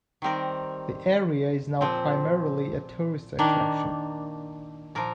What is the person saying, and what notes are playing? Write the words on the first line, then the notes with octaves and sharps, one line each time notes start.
The area is now primarily a tourist attraction.
D#3 G3 C4 A#4
A#2 F3 C4
D#3 A#3 D4
A#2 F3 A#4